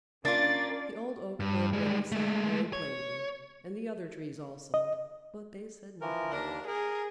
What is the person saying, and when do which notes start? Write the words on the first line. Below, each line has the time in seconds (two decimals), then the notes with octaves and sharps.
The Old Oak heard what he said very plainly, and the other Trees also; but they said nothing.
0.25 A#3 C#4 D4 F4 D5 A6
1.40 G2
1.73 G3 G#3
2.12 G#3 A3
2.73 C#5
4.74 D#5
6.01 E3 F3 A#4
6.32 D#2 D4 A#4
6.67 G#4 A#4